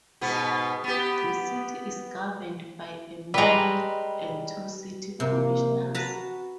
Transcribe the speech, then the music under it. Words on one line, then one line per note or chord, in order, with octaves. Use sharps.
The city is governed by a mayor and two city commissioners.
G#2 B2 B3
B3 G4
G3 G#3 B4 A#5
C3 A#3
F#4 B4 A5 A#5